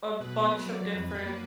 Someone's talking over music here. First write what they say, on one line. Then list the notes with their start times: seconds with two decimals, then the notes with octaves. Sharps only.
a bunch of different
0.20 B2 B4
0.36 B3
0.43 B4
0.51 F#3
0.66 F#3 D5
0.81 F#3
0.89 B4
0.95 F2
1.11 F#2 B4
1.26 A#3